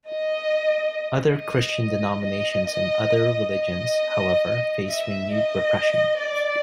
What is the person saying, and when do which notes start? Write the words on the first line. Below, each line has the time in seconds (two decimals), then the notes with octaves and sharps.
Other Christian denominations and other religions, however, faced renewed repression.
0.08 D#5
1.39 D#5
2.26 D#5
2.70 D#5
3.57 D#5
4.88 E5
5.31 D#5
6.18 D5